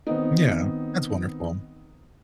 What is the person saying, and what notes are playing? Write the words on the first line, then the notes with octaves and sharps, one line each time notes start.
Yeah. That's wonderful.
D#3 B3 C4 D#4